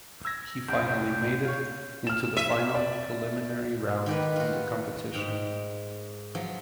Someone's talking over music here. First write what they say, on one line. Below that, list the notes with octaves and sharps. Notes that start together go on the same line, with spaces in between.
He finally made into the final preliminary round in the competition.
E6 G#6 A#6
C2 F#2 G5
G5
C#5 F5
F6 E7
E5 D#7
D5
D#3 G4 B4
F4 F#4
G#2 G5
F3 F#3